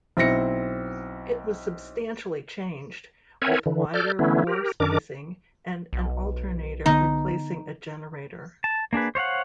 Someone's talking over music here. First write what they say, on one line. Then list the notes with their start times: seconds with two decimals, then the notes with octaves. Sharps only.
It was substantially changed, with wider bore spacing and an alternator replacing a generator.
0.17 B1 C4 E4 A#6 C#7
3.42 C4 A#4 C#5 E5 F#5 G#5
3.66 D3 E3
3.94 A4 D5 F6 G6
4.19 D3 E3 A3 B3 C#4 E4
4.47 G4 A#4
4.80 F#2 D#3 D4 A#4 D6
5.93 B1
6.86 D3 B3 D#4
8.64 A5
8.93 A#3 D4 G#4 B4
9.15 C5 C#5 F5 F#5